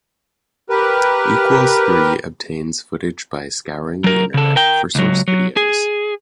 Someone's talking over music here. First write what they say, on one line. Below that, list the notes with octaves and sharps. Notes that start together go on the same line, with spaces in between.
Equals Three obtains footage by scouring the Internet for source videos.
G4 A#4 B4
F#3 A#4
C#3 A4
A#4 G5
C#2 F#3
F#3
G#4